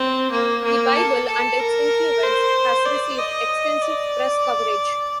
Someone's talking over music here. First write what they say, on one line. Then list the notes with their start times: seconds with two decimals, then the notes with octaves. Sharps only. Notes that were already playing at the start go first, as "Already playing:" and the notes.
"The Bible and Its Influence" has received extensive press coverage.
Already playing: C4
0.31 A#3
0.64 A#3
0.95 A4
1.27 A4
1.59 A#4
2.23 C5
2.86 D5
3.18 D#5
3.82 D5